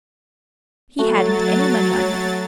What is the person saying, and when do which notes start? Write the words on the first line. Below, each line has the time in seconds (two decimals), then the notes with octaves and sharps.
He hadn't any money on him.
0.99 F#3 A3 F#4 A6